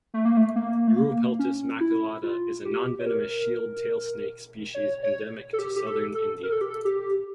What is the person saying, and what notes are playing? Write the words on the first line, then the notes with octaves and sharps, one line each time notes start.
Uropeltis maculata is a nonvenomous shield tail snake species endemic to southern India.
A3
A#3
A3
A#3
A3
A#3
C#4
E4
F4
G4
C#5
A#4
C#5
C#5
A4
G4
G4
A4
A4
A#4
A4
G4
A4
G4